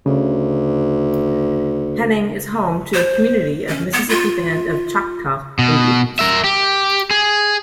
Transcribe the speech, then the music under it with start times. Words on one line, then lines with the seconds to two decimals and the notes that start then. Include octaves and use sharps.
Henning is home to a community of Mississippi Band of Choctaw Indians.
0.06 D2 C#3
2.94 C5
3.68 C#4
3.93 B3
4.09 F4
5.59 B2
6.19 A#4 E5
6.44 G4
7.11 G#4